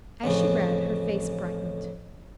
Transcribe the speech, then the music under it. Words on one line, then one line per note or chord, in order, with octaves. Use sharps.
As she read, her face brightened.
A1 F2 C#3